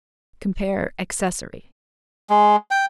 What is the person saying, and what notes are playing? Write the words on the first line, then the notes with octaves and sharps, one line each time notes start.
Compare ACCESSORY.
G#3
G5